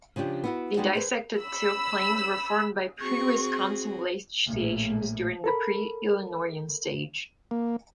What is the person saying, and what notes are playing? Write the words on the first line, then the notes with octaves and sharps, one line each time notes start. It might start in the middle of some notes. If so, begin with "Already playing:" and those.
The Dissected Till Plains were formed by pre-Wisconsin glaciations during the Pre-Illinoian Stage.
C#3 F3 D4 G4
B3 E4 F#4
G3 G#3 B3 D#4 F#4 D5
G#4 B4 C5
B5 E6
C4 F#4 G#4 C#6
A#1 A2
A4 A#4 B5
A#3